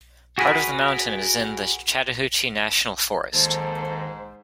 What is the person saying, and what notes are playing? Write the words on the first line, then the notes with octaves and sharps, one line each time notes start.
Part of the mountain is in the Chattahoochee National Forest.
F#4 G#4 A#4 B4 D#5
D#2 G#2 A4 C5